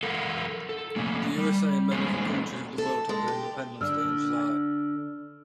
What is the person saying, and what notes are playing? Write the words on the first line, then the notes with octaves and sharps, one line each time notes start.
The USA and many other countries of the world have their independence day in July.
A4 A#4 F5 F#5
A4
C3 A3 A#3 C#4
G3
G#3 A#3 C#4 A4 C5
A4
G#3
G4
D3 D4 E6 F6